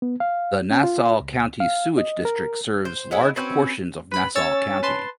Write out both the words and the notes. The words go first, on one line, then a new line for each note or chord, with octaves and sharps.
The Nassau County Sewage District serves large portions of Nassau County.
B3
F5
C#4
F4
C#2
F5
D#5
A#4
C5
G#3 B3 C#4 E4
C4 C#4 F#4 B4
B4 B5
C#4 C#5 E6 A6
B4 A5 C6